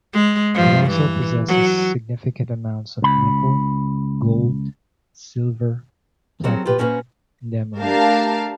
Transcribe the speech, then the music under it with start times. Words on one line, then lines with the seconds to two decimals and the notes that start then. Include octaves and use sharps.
It also possesses significant amounts of nickel, gold, silver, platinum, and emeralds.
0.13 G#3
0.54 G2 F3
0.89 E3
1.47 F#3
3.02 C#2 B5
6.44 F#3 G3 C4 F#4 G#4 A#4
6.66 F4 G4 B4
6.78 A#3 C#4 F#4 G#4 B4 C5
7.79 A3 D4 G4 A#4 F5 A5